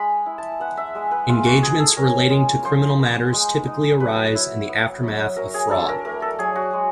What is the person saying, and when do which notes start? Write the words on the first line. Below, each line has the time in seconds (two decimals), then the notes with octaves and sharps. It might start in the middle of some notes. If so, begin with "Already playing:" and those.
Engagements relating to criminal matters typically arise in the aftermath of fraud.
Already playing: G#3 B5
0.26 E4
0.38 A5
0.60 B3 F#5
0.77 E5
0.95 G#3
1.11 B4
1.28 G#3 F4
1.46 F#4
1.62 F4 G#4
1.79 A4
1.96 C#4 A#4
2.30 G#3
2.64 F3 C5
2.99 B3
3.33 G#3
3.67 D#4
4.00 F#3 B4
4.35 E4
4.69 B3
5.03 F#3
5.36 F#3 A#4
5.54 G#4
5.71 D4 A4
5.88 A#4
6.05 A3 A#4
6.22 A4
6.39 F#3 G#4
6.56 F#4
6.73 G#3